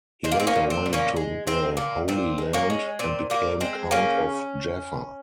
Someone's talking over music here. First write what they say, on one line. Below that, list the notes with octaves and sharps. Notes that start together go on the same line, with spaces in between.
He later went to the Holy Land and became Count of Jaffa.
G#3 C4
A#3
C4
A#3 C#4
A#2
C4
A#2
A#3 C#4
G#3
G#3 C4
A#2 A#3
A#2 C4
G#3
A#3 C#4
G#3
A#2 C4
A#2 A#3
G#3 C4
C#3 A#3 C#4